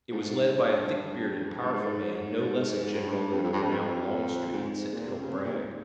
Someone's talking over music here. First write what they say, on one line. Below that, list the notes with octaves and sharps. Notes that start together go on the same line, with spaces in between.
It was led by a thick-bearded, powerful man, no less a general than the renowned Longstreet, sent to help Bragg.
G#2
G2
F2
G2
G#2
G#2
G#2
G2
F2
F2
G2
F2
G#2
A#2
C3
C#3
C3
A#2
G#2